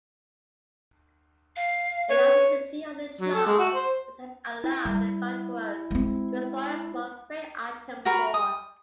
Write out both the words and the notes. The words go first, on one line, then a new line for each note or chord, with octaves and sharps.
Elasticity of the jaw would have allowed "Carnotaurus" to swallow small prey items whole.
F5
B4 C#5
F#3
A4
G#3
F#4
C5
E4
G3
G#3 C4
F#4 A#4 B4
D#6